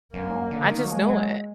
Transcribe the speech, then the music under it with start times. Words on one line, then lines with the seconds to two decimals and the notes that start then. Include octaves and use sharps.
I just know it.
0.13 F#2 A#3
0.28 G#2
0.33 F#2
0.51 D3
0.71 D#3
0.83 F#3
0.89 F3 G#3
1.08 F#3